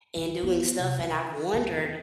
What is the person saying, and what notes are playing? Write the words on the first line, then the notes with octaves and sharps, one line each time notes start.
and doing stuff, and I've wondered,
D#3
B3
C3
C#4
D3
E2